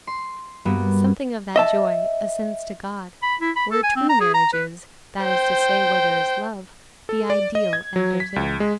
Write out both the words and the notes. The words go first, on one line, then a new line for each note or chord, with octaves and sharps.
Something of that joy ascends to God. Where true marriage is, that is to say, where there is love, the ideal enters in.
C6
G2 A#3 B3 F#4
D#5 E5 A5
B5
E4
B5
A4
G#5
C4
A#5
G#4
A#5
B4
C5 G5
A4
D5
D#5
G#6
F#3
B6
C#2
G#3